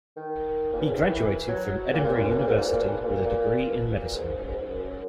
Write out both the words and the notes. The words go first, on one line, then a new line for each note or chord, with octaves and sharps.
He graduated from Edinburgh University with a degree in medicine.
D#3
A#2
B2
C#3
D#3
E3
F#3
A#2
A#2
F#2
B2
A#2
G#2
A#2
A#2
B2
A#2
A#2
B2
A#2
G#2
F#2
G#2
F#2
F#2